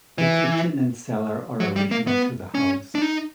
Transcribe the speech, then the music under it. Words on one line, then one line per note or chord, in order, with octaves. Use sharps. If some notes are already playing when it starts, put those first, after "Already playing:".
The kitchen and cellar are original to the house.
E3
F#3
G3
A#3
B3
C#4
D4
D#4